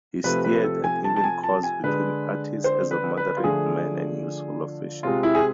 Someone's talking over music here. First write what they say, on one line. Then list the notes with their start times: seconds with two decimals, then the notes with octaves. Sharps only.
He steered an even course between parties as a moderate man and useful official.
0.24 C3 F3 A3 B4
0.44 B4
0.64 A4
0.84 G#5
1.04 A5
1.16 A5
1.24 G#5
1.43 A5
1.63 G#5
1.84 D3 G#3 B4
2.64 C5
2.91 B4
3.17 B4
3.37 F4
3.44 D3 F3 A3 G#4
5.03 C3 G#3 F4
5.23 E4
5.35 G#4